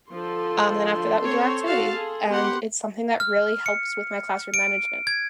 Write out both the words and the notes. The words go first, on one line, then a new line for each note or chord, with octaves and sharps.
um, then after that we do our activity. And, it's something that really helps with my classroom management.
D3 F3 A4 C6
C4 C5 C#5
F#4 F5 A5
G#4
B3 G4 F#5 C6
F6
C#7
D7
G#6